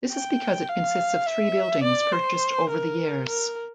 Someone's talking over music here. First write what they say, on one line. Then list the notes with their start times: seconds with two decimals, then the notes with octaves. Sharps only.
This is because it consists of three buildings, purchased over the years.
0.11 G5
0.69 F5
1.26 E5
1.83 D5
2.12 C5
2.69 A#4
3.27 A#4